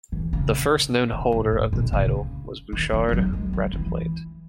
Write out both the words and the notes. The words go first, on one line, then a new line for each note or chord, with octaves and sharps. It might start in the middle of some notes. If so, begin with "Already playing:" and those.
The first known holder of the title was Bouchard Ratepilate.
E3
C#3
C#3
A2
A2
B2
C#3
D#3
E3
G#3
F#3
G#3
F#3
E3